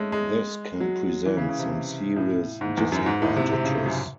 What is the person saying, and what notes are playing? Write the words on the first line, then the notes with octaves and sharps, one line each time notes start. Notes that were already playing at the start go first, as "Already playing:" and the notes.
This can present some serious disadvantages.
Already playing: G#3 A3 C#4
G#3
F#3
E3
C#3
C#3
C3
A2
G#2
E2
F#2
G#2
A2
C3
C3
C#3
F#2